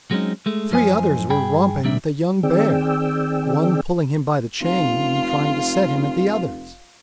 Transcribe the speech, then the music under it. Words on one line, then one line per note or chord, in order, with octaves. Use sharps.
Three others were romping with a young bear, one pulling him by the chain and trying to set him at the others.
F#3 G#3 C4 C#4 D#4
G#3 A3
F#2 F3 C5 D#5 G#5
G2 G#4 G5 B5
D2 A#2 G3 D4 E5
D#3 C4 G#4 D5 G5 E6
F1 F4